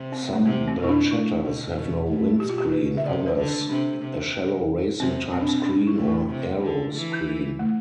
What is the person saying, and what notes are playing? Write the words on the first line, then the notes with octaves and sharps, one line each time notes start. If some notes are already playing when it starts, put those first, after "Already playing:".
Some barchettas have no windscreen; others, a shallow racing-type screen or aero screen.
Already playing: C3
C4
A3
C3 B3
C4
B2
E4
D4
A2 E4
B2
B2
A2
B2 G4
F4
G4
B4
E5
C3 D5
B4
D3
A4
C3 D4
C3
C3 C4
B2 C4
D4
C4
D4
E4
A2
E4
C3
D3
E3
A3